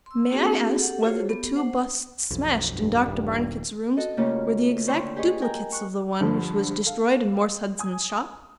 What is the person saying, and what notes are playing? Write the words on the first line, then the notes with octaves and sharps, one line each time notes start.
"May I ask whether the two busts smashed in Dr. Barnicot's rooms were the exact duplicates of the one which was destroyed in Morse Hudson's shop?"
C6 E6
A3 A#3 C4 D4 F#4 G#4
G4 A4 F#5
F4 F#4 G#4 C5 C#5
B3 G4 A4
C5 F#5
B1 F2
G2
D#1
F#4 A4 D#5
C#3 A3 A#3 C#4 F4 G4
D3 C#4 C5 G5 C#6 E6
G4 G#4 B4 D#5 C#6
A#4 G5 G#5 A#5
C#6 F#6
G2 D3 F3
A4 F5
G#5 D#6